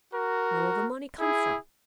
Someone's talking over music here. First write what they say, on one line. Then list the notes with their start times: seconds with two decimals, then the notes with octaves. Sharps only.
Where will the money come from?
0.12 F#4 A#4
1.18 E4 G#4